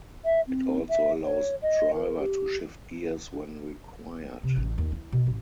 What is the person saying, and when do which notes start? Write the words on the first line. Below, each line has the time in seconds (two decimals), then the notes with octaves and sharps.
It also allows driver to shift gears when required.
0.25 E5
0.47 C4
0.89 E5
1.24 C#5
1.62 D#5
1.94 A#4
2.19 G4
4.43 C3
4.56 A1
4.78 D#2
4.92 E4
5.12 B2
5.27 A1